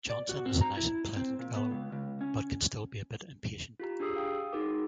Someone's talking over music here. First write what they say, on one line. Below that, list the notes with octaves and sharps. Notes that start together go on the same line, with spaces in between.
Johnson is a nice and pleasant fellow, but can still be a bit impatient.
D5
F#4
C4
A#5
E4
C4
A#2
B3
C#2
C#2
C#4
F4 G4 A#5
D4 G4 G#4 D#6 E6 C7
F5 G5 D#6
D#4 F#4 G#4 A#4 D6